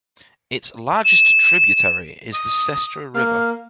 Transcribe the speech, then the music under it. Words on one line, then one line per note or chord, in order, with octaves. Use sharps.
Its largest tributary is the Sestra River.
E7
D#6
A#3 F6